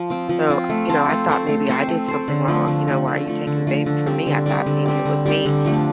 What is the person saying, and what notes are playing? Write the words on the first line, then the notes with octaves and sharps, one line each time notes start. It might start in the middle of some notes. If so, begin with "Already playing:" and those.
So, you know, I thought maybe I did something wrong. You know, "Why are you taking the baby from me?" I thought maybe it was me.
Already playing: F3
C4 F4
F3
C4 F4
A3
C4 A4 C5
A3
C4 A4 C5
A3
C4 A4 C5
A3
C4 A4 C5
D3
F3 A3
D3
F3 A3
D3
F3 A3
D3
F3 A3
D3
G3 C4 G4
D3
G3 C4 G4
D3
G3 C4 G4
D3
G3 C4 G4
D3
F3 A3 D4